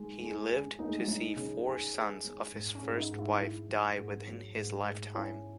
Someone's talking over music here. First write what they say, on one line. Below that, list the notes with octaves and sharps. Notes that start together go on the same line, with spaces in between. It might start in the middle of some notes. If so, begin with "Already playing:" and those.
He lived to see four sons of his first wife die within his lifetime.
Already playing: G#3 D#4
G#3
G#4
A#3 D#4
G#3
F#3
G#3 D#4
C#3
G#4
G#4
G#3
G#2
C#4
G#2
D#4
G#2
E4
G#2 E4
F#3
G#2
F#3
G#2
G#2
C#4 E4